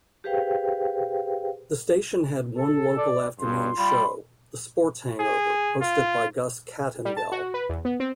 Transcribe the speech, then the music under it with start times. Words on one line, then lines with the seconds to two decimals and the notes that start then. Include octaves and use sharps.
The station had one local afternoon show, "The Sports Hangover", hosted by Gus Kattengell.
0.24 G4 G#4 B4 C5 F5 G5
2.57 A4
2.98 D5
3.40 C#2 G2 C6
3.78 G3 F4 B5
5.20 G#4
5.82 F4
7.05 G3
7.17 A5
7.32 F#4
7.54 B4
7.69 E2
7.85 B3
8.00 C4